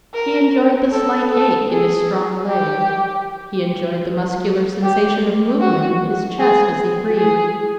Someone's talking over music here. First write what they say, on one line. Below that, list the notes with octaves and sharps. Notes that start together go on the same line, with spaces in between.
He enjoyed the slight ache in his strong leg, he enjoyed the muscular sensation of movement in his chest as he breathed.
A#4
A4
A4
G#4
G4
G4
F#4
G#4
G#4